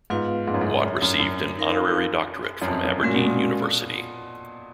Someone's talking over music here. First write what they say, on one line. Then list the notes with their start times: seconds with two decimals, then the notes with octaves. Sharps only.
Watt received an Honorary Doctorate from Aberdeen University.
0.10 G#2 B3 F4 B4 F5
0.47 G#2
0.54 F#2
0.61 G#2
0.84 F#2
1.02 F#2
1.20 F#2
1.57 D#4 A#4 F5
2.62 F#2
2.67 F2
2.85 F#2
3.03 A#2 G#3 C#4 F#4 A#4
3.15 B2
3.26 A#2